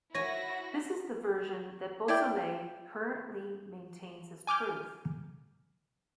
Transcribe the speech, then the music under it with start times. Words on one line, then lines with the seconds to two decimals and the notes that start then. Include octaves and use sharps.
This is the version that Beausoleil currently maintains as truth.
0.14 E4 F#4 C#5 G#5 A#6
2.08 E4 D5 G5
4.47 G#5 D6 F6 G6